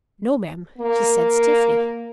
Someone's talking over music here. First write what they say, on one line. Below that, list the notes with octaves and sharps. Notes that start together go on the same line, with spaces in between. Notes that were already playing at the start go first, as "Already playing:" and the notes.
"No, ma'm," she said stiffly.
A#3